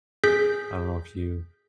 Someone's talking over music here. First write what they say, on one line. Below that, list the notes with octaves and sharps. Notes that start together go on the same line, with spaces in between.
I don't know if you
G#4 G6 B6